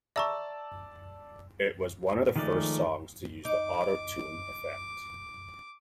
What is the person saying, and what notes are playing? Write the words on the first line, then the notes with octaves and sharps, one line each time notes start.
It was one of the first songs to use the autotune effect.
D5 E5 A5 A#5 C#6 E6
D#3 F3 G#3 A3 D5
D#4 D6